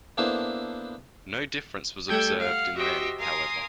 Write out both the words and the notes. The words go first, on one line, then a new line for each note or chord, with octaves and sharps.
No difference was observed in men, however.
A#3 B3 D4 E4 A4 C5
G3 A3 A4 G5 G#6
F5 F#5
F#4 G4 C5 D#5 E5 G5
A#4 F5 G#5 C6 D#6